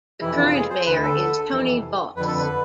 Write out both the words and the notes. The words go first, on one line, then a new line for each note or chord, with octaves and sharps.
The current Mayor is Tony Vauss.
F2 C3 E3 E4
F4
G#4
C5
D2 D3 B4
A4
F2 C3 E3
F2 D3 B4
A4
B4